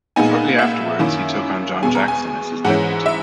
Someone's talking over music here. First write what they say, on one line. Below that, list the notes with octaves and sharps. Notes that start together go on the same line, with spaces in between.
Shortly afterwards he took on John Jackson as his deputy.
A#2 G#3 B3 D#4 G#5
E5
F#2 D#3 A#3 E4
E2 B2 G#3 G#5
A#5
G#5
G#2 E3 G#3 C#4 E4 F#5
E5